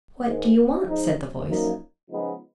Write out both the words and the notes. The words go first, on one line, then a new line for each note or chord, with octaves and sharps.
"What do you want?" said the voice.
G#2 D#3 G#3
F3 G#3 D#4
F#2 F3 A#3 D#4
C#3 F3 G#3 B3 D#4